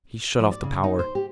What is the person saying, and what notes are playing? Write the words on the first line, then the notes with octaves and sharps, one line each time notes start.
He shut off the power.
F3
D5
C#3
D#4
C5
G4